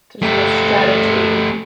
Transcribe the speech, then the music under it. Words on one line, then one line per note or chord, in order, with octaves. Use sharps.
There's real strategy,
A3 G4